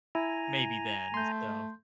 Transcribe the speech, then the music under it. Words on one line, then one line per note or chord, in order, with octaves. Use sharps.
Maybe then, so
E4 G#5 A#5
A3 C6 G6